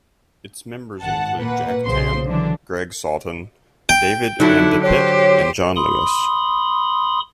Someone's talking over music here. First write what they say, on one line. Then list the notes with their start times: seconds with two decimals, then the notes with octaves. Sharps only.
Its members include Jack Tann, Greg Sawton, David Van DePitte and John Lewis.
1.02 G#1 F#5 A5
1.37 A#2 A#3 B4 F#5
1.85 B1 C#3 C5 C6
2.26 D3 E3 F#3 D4
3.89 G5
4.40 D3 F#3 D#4 E4
4.83 G4 C5 C#5
5.76 B5 C6 D#6